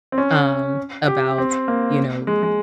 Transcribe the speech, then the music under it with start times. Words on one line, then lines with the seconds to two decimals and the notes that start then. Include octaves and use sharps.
Um, about, you know,
0.12 C4
0.18 C#4
1.08 G4
1.38 C4
1.68 A#3
2.27 G#3
2.43 G#3